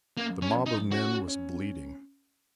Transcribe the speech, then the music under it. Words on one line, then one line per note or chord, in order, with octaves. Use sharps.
The mob of men was bleeding.
F#2 A#3
C#4
F#2
D#4
C#4 F#4
C#4